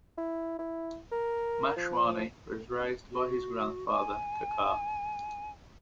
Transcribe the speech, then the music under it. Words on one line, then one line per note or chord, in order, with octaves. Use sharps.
Mashwani was raised by his grandfather Kakar.
E4
E4
A#4
F3
F#4
G#5